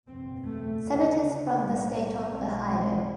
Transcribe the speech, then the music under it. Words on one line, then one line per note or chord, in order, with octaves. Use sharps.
Senators from the state of Ohio.
F#1 E2 B2 C4
A3
D2 C#3
B1 A2 G3
B1 B2 C4
G#3